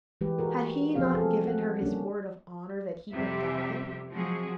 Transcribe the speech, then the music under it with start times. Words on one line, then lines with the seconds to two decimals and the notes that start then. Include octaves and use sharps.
Had he not given her his word of honor that he would die?
0.21 E3 G#3 G4 B4
0.39 F#4 G#4 A#4
0.95 F3 B3 C4 F#4 G#4 F5
1.12 C4 G#4 A4
1.47 F#5
1.82 G3 A#3 C#4 D4
3.13 F2 C3 G3 G4 E5
4.11 F3 F#3 G#3 C4 F#4 G#4